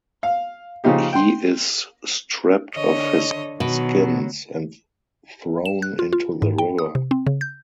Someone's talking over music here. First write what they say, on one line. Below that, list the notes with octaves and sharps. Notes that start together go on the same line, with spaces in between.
He is stripped of his skins and thrown into the river.
F5
C#3 F3 A#3 D#4 G4
G5 C6
D3 C#5 D#5
B2 D#3 F#3
E7
F#6
F4
F4
G#2
G5
D#6
C3
C4
C#3
G6